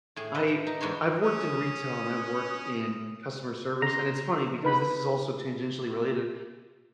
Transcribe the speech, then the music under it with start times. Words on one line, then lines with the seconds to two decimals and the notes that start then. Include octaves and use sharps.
I I've worked in retail and I've worked in customer service- and it's funny because this is also tangentially related-
0.16 A2 G#4
0.34 A4 B4 D#5
0.48 G4
0.67 D#4
0.81 E2 G#2 D4 C#5 C6
1.22 C#4 D#6
3.82 C#3 A#5 C6
4.63 D#4 B4 B5